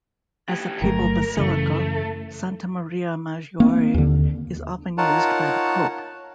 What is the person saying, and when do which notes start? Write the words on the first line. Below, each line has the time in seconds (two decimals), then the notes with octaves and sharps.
As a papal basilica, Santa Maria Maggiore is often used by the pope.
0.49 E3 G4
0.82 G1 F#3 A3 A#4
1.37 F#2 C#3 E3 A3
3.60 A#3 C4
3.94 D#2 D3
4.98 D#4 F4 A#4 C#5 F#5 A5